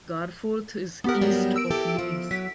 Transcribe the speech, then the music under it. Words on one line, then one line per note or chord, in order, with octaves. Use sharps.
Garforth is east of Leeds.
B3 G4 A4 A#4 F#5
G#2 F#3 G3
E6 D7
E4 G4 A4
F3
F#3 B6